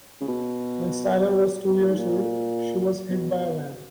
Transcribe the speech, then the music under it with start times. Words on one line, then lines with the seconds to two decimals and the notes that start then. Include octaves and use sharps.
When Styler was two years old, she was hit by a van.
0.21 C#3
0.28 B2
1.68 B2
1.78 A#2
1.88 G#2
1.97 A#2
3.10 B2